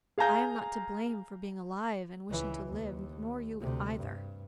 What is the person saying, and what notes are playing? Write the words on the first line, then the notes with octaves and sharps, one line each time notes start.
"I am not to blame for being alive and wishing to live--nor you either."
G#4 F5 G#5 A#5 G6
C#2 E3
D#2
D2 C3
G2